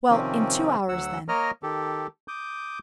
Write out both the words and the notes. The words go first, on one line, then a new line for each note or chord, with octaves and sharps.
"Well, in two hours, then."
C3 D#3 F3 C4 C#4
D2 F#3 F#5 E6
A#3 A#4 C#5 D#5 A#5 F6
D#3 G4 A4
D6 D#6 G6